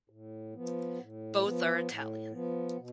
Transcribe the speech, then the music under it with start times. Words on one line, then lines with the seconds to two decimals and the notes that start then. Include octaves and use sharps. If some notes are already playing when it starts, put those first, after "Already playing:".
Both are Italian.
0.10 A2
0.54 F3 B3
0.99 A2
1.43 F3 B3
1.88 A2
2.32 F3 B3
2.77 B2